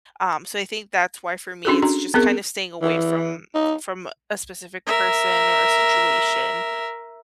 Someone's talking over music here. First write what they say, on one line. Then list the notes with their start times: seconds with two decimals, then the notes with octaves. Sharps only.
Um, so I think that's why for me it's just kinda staying away from from a specific person or a situation,
1.65 C#4 D4 F#4 G#4 A4
1.82 D4 F#4 A#5
2.14 B3 C4 G#4 A#4
2.82 E3
3.55 D#4
4.87 A#4 E5